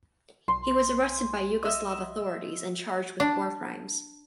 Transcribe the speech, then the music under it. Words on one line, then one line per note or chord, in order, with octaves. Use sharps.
He was arrested by Yugoslav authorities and charged with war crimes.
B1 C6
D#5 E5
D4